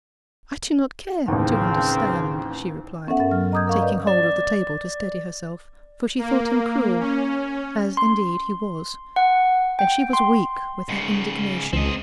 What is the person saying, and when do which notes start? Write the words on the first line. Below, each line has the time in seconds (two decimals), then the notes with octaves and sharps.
'I do not care to understand,' she replied, taking hold of the table to steady herself; for she thought him cruel--as, indeed, he was--and she was weak with her indignation.
1.28 A1 D#2 C#3 F3 C4
3.07 B3 C#4 A4 E5 F#5
3.19 G2 A#4 E5 A6
3.31 F#3 F6
3.52 D#5 A#5 D6 D#6 G6 G#6
3.68 A#4 F5 C#6
3.80 B4 D5 D#5
4.07 D5
6.18 A#3
6.99 C#4
7.97 C6
9.16 F#5
9.79 G5
10.13 C6
10.89 G#2 C#3
11.73 C#2 C4 D#5